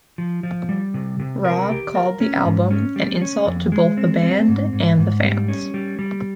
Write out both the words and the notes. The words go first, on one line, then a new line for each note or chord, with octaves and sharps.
Robb called the album an insult to both the band and the fans.
F3
F3
G3
C3
C3
A#4
G4
A#4
C#4
G#2
C#4
G3
C#4
F2
G#3
C4
C4
G#2
G#2
G#2
G3
C#4
G3
G3